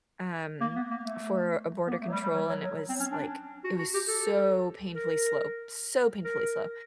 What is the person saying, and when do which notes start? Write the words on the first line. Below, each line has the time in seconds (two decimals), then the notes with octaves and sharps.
um for a border control, and it was like it was so painfully slow, so painfully slow,
0.61 A#3
0.76 B3
0.90 A#3
1.05 A3
1.87 B3
1.91 A#3
2.02 A3
2.07 F#3
2.13 G3
2.23 G3
2.35 F#3
2.49 F#3
2.63 F#3
2.89 C4
3.00 C#4
3.11 D4
3.64 F#4
3.79 F#4
3.94 G4
4.08 A4
4.95 A#4
6.24 A#4